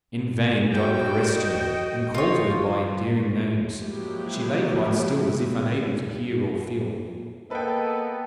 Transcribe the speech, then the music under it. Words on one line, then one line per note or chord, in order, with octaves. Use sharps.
In vain Dot caressed her, and called her by endearing names; she lay quite still, as if unable to hear or feel.
G3 F#4 G5
D#5
F4 C#5
F3 F#3 G#3 A#3 E4 G4
A#3 B3 A4 B4 D#5 G5